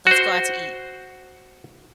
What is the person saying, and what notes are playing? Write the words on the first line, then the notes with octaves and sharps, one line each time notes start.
"Let's go out to eat."
F#4 C5